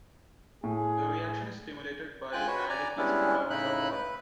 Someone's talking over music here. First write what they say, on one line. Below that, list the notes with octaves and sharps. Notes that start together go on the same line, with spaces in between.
The reaction is stimulated by adding a small amount of water.
A2 G#4
G#3 F4 G5 G#5 F#6
F#4 B4 C#5
D5 G#5 A#5
G3 G#3 B3 C#4 D4 E4
A2 C#3 D#4 E4 B5 F#6
B4